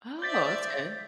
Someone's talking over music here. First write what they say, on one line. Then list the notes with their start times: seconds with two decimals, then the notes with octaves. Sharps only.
Oh, that's good.
0.22 C5 D5 E5 G6 A6 B6